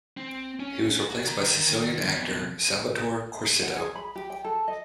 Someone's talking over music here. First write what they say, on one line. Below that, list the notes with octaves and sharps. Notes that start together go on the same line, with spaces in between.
He was replaced by Sicilian actor Salvatore Corsitto.
C4
C#4
F#4
D#3 A#5
F2 B2
F#5
G#4
B5
G4
G5
A4
D#5